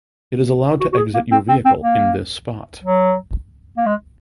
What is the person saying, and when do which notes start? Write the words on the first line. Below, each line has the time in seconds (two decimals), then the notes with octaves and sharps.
It is allowed to exit your vehicle in this spot.
0.80 F#4
0.92 F#4
0.97 G#4
1.14 A#3
1.31 C4
1.48 C4
1.65 C4
1.82 A#3
2.84 F#3
3.77 A#3
3.86 G#3